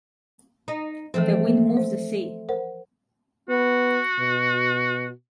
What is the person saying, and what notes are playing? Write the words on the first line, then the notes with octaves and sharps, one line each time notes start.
The wind moves the sea.
D#4
E3 F3 A3 C4
C5
A#4 C5 F#5
B3 F#4
B2